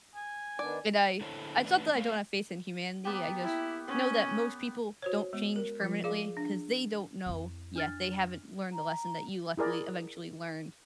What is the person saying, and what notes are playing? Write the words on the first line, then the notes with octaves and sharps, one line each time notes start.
And I I thought that I don't have faith in humanity; I just know that most people don't change permanently 'cause they don't know yet, they haven't learned the lesson that you luckily eventually learned
G#5
D#3 B3 D4 D5
D3 E4 A4 C5 C#5
E3 A3 C#4 D4 B4 D5
A3 C#5 F5
A#3 B3 G4
E4
B3 C#4
F#4 C5 C#5
G#3 B3
A#4
F3 F4
G#4 D5 F5 D6
D4
F2 E4
D4 F6 A6
A#5
E4 G#4 A#4 D5